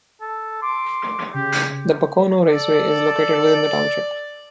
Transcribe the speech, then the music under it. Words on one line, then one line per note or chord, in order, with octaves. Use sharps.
The Pocono Raceway is located within the township.
A4
C6 D6
C#3 G4
A4 D5